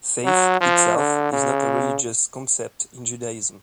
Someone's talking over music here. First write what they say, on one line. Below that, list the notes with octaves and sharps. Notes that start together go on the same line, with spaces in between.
Faith itself is not a religious concept in Judaism.
F#3
F3
D3
C#3